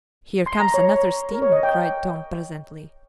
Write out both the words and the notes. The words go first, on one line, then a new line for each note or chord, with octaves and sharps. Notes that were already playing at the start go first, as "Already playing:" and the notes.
"Here comes another steamer!" cried Tom presently.
C6
A#5
C#5
C#5
A#4
C#5
D#5
G5